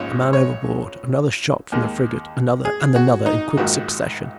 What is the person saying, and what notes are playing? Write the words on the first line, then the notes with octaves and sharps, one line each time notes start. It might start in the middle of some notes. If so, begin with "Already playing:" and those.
"A man overboard!"--another shot from the frigate--another and another in quick succession.
Already playing: A#1 G#2 G#3 C#4 C#5
C#5
D#2 D#3 G#3
G#4
F#4
D#4
A#1 G#2 D#3 F#4